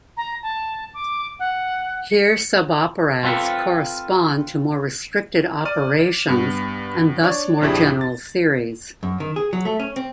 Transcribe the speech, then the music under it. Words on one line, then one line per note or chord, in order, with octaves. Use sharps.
Here suboperads correspond to more restricted operations and thus more general theories.
A#5
A5
D6
F#5
C#7
C4 F4 A4 B4
D5 F6 D#7
G2 B3
D4 C#5 D5
A#1 F2 D4 E4 G4 G#4
A6
F#2
D#3
G#4
F#3
A3
C#4
C4